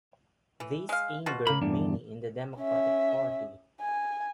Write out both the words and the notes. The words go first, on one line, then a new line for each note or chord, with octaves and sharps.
This angered many in the Democratic Party.
E3
G#3 F5
B2 F4 F#4
C#3 A#3 B5
E2 G2 D4
C#4 E5
G#5